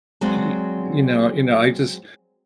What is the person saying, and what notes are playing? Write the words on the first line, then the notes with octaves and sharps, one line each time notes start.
y y you know you know, I just
F#3 G#3 C4 F#4 D5